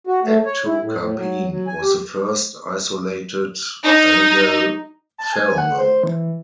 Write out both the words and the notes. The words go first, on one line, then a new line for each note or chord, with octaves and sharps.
Ectocarpene was the first isolated algal pheromone.
F#4
A3
C#5
E4
A2
A2
F#3
F#3
G#5
G4
D#4
A5
G#5
F#5
C5
E3